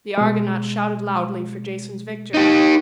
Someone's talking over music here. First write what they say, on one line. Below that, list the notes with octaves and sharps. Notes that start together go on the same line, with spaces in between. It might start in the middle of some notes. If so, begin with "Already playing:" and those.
The Argonauts shouted loudly for Jason's victory.
B2 G#3
D#4 G4